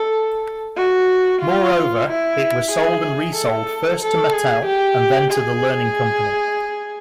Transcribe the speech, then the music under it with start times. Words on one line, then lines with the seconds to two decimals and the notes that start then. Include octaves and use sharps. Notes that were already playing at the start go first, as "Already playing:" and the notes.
Moreover, it was sold and re-sold first to Mattel, then to The Learning Company.
Already playing: A4
0.76 F#4
1.42 F4
2.07 E4
2.72 G#4
3.36 A4
4.01 A4
4.33 G#4
4.66 G4
5.31 G#4